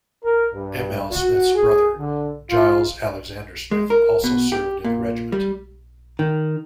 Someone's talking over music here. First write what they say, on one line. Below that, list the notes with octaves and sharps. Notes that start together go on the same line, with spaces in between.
M. L. Smith's brother, Giles Alexander Smith, also served in the regiment.
A#4
G2
F#4
G#4
D3
F4
G#3
A#4
B2
G4
A#2
G3
D#3